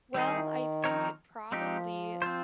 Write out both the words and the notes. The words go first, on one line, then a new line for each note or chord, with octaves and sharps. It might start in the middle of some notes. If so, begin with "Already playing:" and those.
Well, I think it probably i
D#3 G3 C4 D#4 G#4
F3 C4 D#4 A#4 C#5
F3 G#3 C4 D#4 G4
C4 F4 C5